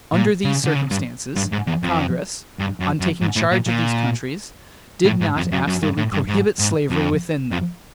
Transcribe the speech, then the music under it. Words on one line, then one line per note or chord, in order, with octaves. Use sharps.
Under these circumstances, Congress, on taking charge of these countries, did not absolutely prohibit slavery within them.
A#2
C#3
D3
C#3
G2
G2
G#2
E2
F2
G2
F#2
F#2
G#2
A2
A#2
A#2
A2
G#2
F2
F#2
F#2
G2
A2
G2
G#2
G#2
F2
F2